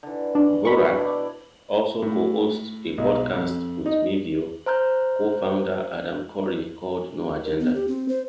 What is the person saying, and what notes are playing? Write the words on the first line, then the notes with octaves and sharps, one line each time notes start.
Dvorak also co-hosts a podcast with Mevio co-founder Adam Curry called "No Agenda".
D3 E3
C#4 D4
B2 B5 C#6
D4 E4 D5
A2
B1
F2
D#4
C5 A#5 F6 G6
A#4
B3
G4
C4
C5